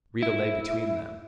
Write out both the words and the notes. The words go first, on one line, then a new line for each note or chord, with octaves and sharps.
Rita lay between them.
E4